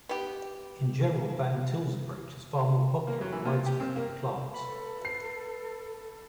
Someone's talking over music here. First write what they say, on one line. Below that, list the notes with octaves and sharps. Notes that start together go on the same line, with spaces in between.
In general, Van Til's approach is far more popular and widespread than Clark's.
B3 G4
A#3
F#3
E3
A#2
G4
C4
A#3
A4 B4 B5
C7